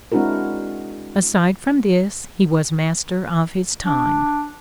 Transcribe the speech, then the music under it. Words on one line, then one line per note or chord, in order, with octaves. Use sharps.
Aside from this, he was master of his time.
G#3 C4 D4 E4 F#4 A#4
D4